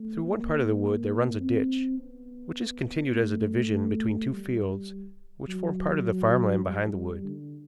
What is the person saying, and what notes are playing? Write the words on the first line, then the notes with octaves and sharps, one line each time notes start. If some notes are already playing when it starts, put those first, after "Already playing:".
Through one part of the wood there runs a ditch, which is continued as a division between two fields which form part of the farm land behind the wood.
Already playing: A3
A#3
C4
B3
A3
G3
F#3
G3
D3